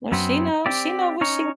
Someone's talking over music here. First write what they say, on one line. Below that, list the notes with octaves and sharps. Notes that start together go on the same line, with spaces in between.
Well, she know she know what she
F#2 F#3 B3 C4
C4 G4 D5
C#4 D#4 C#5